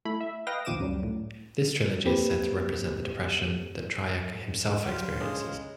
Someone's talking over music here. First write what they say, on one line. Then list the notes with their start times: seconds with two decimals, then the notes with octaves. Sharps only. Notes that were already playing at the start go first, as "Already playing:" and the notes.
This trilogy is said to represent the depression that Trier himself experiences.
0.05 A3 E4 B5
0.21 E5
0.47 B4 D#5 F5 G5 A#6
0.65 A1 D#2 F3 D6 D#7 E7
0.80 C#2 F#2 F#3 G3
1.03 A2
2.05 A#3 C4 G4 B4
4.84 F#3 G3 F#4 G4 C5 F5
5.21 C#3 G#3 D4